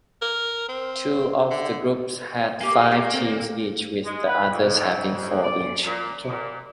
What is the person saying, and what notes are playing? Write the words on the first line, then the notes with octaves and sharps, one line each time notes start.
Two of the groups had five teams each, with the others having four each.
A#4
C4
D3
A#3 G4 G#5
A3 G4
C4 A4 C5
G#3
B4
F2
D5
A#2
A#2